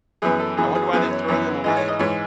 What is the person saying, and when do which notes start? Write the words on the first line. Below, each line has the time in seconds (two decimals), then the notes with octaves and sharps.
I wonder why they're throwing 'em away.
0.22 F#2 E3 B3 G#4
0.40 A4
0.57 F#2 E3 B3 G#4
0.75 G#4
0.93 F#2 E3 B3 G#4
1.10 C#5
1.28 F#2 E3 B3 C#5
1.64 G#2 E3 G#3 D#5
1.76 C#5
1.88 D#5
1.99 G#2 E3 G#3 C#5